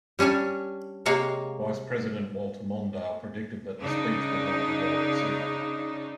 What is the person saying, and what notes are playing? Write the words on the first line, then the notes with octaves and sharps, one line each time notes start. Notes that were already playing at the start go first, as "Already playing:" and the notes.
Vice President Walter Mondale predicted that the speech would not be well received.
G3 C#4 D4 C#5 G#5
C3 G#3 A#3 C#5 F5
C#3 D4 D#4